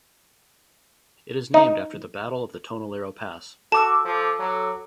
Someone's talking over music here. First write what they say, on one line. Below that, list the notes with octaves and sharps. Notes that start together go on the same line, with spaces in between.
It is named after the Battle of the Tonelero Pass.
D#4
F#4 A4 A5 D6 E6
F3
F#3